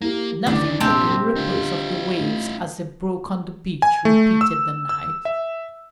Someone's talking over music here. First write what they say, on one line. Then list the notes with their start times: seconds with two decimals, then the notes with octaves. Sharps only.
"Nothing but the ripples of the waves as they broke on the beach," repeated the knight.
0.02 A#3 E4 G4 A#4
0.47 A1 D2 D#3 E3 D4 D6
0.80 A#1 C3 A#3 C4 G4 A5
1.36 D3 D#4 F4
2.20 A1
3.82 G#5
4.05 A3
4.41 E6
4.89 E6
5.25 E5